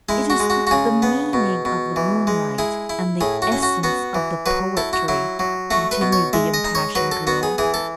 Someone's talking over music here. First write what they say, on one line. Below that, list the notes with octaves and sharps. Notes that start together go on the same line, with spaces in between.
"It is the meaning of the moonlight, and the essence of the poetry," continued the impassioned girl.
G#3 E4
F#4
G#3
F#4
F#4
C#3 G#4
B3
B2
B2
E3
G#3
E4 G#4
E4
A2 G#4
F#4
C#4
F#4
B3 F#4
E3
F#3 B4
E4 A4
F#4
F#3 E4
F#3
A3 F#4
B4
B2
C#5
G#3 E5
D#5
D#4
C#5
F#3 B4
A4
B3 F#4
G#4
E3 G#4
A4